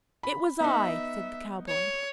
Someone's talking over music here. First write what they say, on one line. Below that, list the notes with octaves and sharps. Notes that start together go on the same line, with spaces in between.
"It was I," said the cowboy.
B5
B3 D#4 E5
C#5